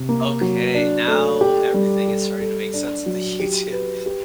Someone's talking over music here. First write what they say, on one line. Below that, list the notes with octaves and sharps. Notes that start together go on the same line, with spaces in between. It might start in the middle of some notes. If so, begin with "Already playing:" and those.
Okay, now everything is starting to make sense to YouTube.
Already playing: C3
A#3
F#3
D4
A3
G4
G3
A4
A4
D4
F#3
G4
B4
G4